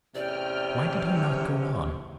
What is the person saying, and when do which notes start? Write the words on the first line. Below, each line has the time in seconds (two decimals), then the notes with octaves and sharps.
Why did he not go on?
0.15 A1 E2 C3 C#4 D5 G5 F6